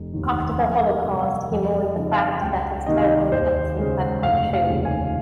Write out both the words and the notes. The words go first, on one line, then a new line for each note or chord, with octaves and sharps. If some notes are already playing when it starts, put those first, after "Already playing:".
After the Holocaust, he mourned the fact that his terrible prophecies had come true.
Already playing: F1
D#2 D#3
F2 G#5
A#4
C3 G3
F5
F2
D#5
C#3 F3 C4 D#4
F5
C#2 G5
C3 D#3 A#3 D#4 D#5
F5
D#5
D#2 C5
C#3 G#3
F1 F5
F5
D#2 C#3 F3
G#5